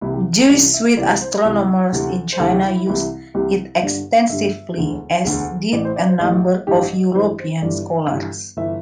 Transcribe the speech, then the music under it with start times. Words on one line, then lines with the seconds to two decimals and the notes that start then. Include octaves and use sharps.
Jesuit astronomers in China used it extensively, as did a number of European scholars.
0.01 C2 C3 E3 E4
0.14 G4
0.38 A4
0.49 C2 C3 E3 D5
0.74 E5
0.97 C2 C3 E3 D5
1.21 C5
1.45 C2 C3 E3
1.92 D2 C3 E3
2.33 C5
2.39 D2 C3 E3 A4
2.51 G4
2.64 E4
2.75 E4
2.87 C2 C3 E3 E4
3.34 C2 C3 E3 G4
3.82 G1 G2 D3 D5
4.29 G1 G2 D3 E5
4.77 E1 D2 D3
5.24 E1 D2 D3
5.72 A1 A2 E3 D5
5.85 C5
5.96 D5
6.08 C5
6.20 A1 A2 E3 G4
6.67 A1 G2 E3 G4
7.15 A1 G2 E3 C5
7.39 C5
7.62 G1 G2 E3 D5
8.10 G1 G2 E3
8.57 G1 E3 E5